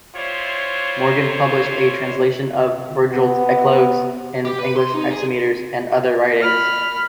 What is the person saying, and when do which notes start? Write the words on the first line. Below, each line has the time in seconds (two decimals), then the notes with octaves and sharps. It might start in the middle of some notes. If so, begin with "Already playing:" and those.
Morgan published a translation of Virgil's "Eclogues" in English hexameters, and other writings.
0.15 G3 E4 F4 C5 C#5
3.12 B3
4.45 G4
4.58 B4
4.76 C6
4.94 D#4
5.11 G#4
6.41 B5 F6